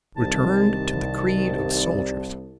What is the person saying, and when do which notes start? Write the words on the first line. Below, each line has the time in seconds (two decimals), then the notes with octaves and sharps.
He returned to the creed of soldiers.
0.17 C2 D#3 A5